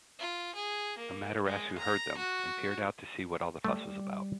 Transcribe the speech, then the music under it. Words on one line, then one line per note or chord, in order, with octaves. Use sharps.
Amaterasu heard them, and peered out to see what all the fuss was about.
F4
G#4
A#3
G#3
A#5
F#4
G3 A3